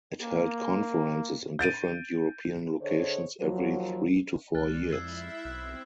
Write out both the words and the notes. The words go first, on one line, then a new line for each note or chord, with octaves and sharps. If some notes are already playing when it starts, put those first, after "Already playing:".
It held conferences in different European locations every three to four years.
A#3
G6 A6 D7 D#7
D3 G#4 C5 C#5 D#5
D#2 F3 F#3
C#2 G#3 D5 F6 F#6 A6
F2 E4 E5 E6 G#6 C7
B1 C4 F#6